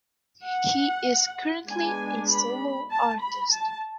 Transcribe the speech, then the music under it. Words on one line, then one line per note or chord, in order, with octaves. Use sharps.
He is currently a solo artist.
F#5
G#3 B3 D4 G#5
B5
A5
B5
A5